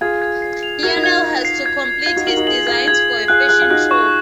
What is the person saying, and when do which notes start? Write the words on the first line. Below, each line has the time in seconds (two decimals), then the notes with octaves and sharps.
Lionel has to complete his designs for a fashion show.
0.01 F4 G#4 G#6
0.22 G#6
0.42 C7
0.63 F7
0.83 F#4 A#4 G#6
0.96 D#4
1.04 F4 G#6
1.24 G#6
1.45 C7
1.66 G#6
1.86 G#6
2.06 F4 G#6
2.16 D#4 F#4
2.26 F#4 A#4 F#7
2.37 D#4 F#4
2.47 F4 G#4 F#7
2.67 F4 G#4 G#6
2.87 F4 G#4 G#6
3.09 G#6
3.28 F4 G#4 F#6
3.49 F4 G#4 F#6
3.62 F4
3.70 D#4 F#4 F#6
3.91 C#6